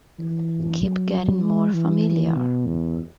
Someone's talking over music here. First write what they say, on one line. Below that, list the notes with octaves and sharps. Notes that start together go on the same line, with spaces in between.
Keep getting more familiar!
E3
F#3
G#3
E3
B2
E2